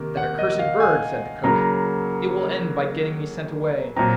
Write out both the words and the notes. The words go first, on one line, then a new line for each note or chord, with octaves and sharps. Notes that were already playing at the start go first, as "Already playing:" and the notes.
'That accursed bird,' said the Cook; 'it will end by getting me sent away.
Already playing: C3 D#3 A#3
F#5
D#5
F5
G#5
C#3 F#3 A#3 A#5
A#2 F#3 C4 A#5